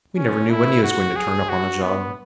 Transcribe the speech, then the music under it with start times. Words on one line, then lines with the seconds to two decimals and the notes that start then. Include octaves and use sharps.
We never knew when he was going to turn up on a job.
0.17 C#4
0.50 E4
0.83 F#4
1.16 G#4
1.50 F#4
1.83 B3